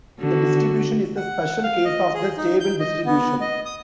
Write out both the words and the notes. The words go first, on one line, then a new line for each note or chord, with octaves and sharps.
The distribution is a special case of the stable distribution.
D3 B3 F#4
F#5
F5
D#5
G#4
D#4
G6
D#5
B3
D#5
D#6